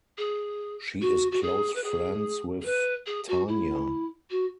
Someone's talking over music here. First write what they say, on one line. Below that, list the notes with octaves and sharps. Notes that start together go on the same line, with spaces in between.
She is close friends with Tarnya.
G#4
F#4
F#4
G#4
B4
G#4
G#4
B4
G#4
F#4
E4
F#4